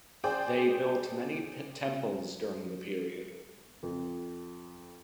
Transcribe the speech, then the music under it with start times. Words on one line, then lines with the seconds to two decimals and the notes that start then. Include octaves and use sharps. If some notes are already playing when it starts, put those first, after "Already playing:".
They built many temples during the period.
0.24 G#4 C5 D5 G5
3.83 F2